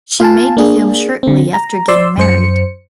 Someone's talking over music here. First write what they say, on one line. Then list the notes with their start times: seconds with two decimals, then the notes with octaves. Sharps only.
She made the film shortly after getting married.
0.20 F4 F5 G#5 A5
0.57 A#3 D4 G#4
1.23 D3 C4
1.54 A#5
1.88 C5 D5 C6 E6
2.18 F#2 C5 C#7